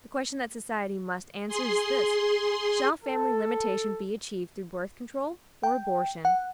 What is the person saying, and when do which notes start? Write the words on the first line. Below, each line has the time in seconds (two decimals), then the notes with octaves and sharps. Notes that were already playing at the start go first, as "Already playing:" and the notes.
The question that society must answer is this: Shall family limitation be achieved through birth control or abortion?
1.48 G#4 C6
3.03 A4
5.63 G5
6.25 F#5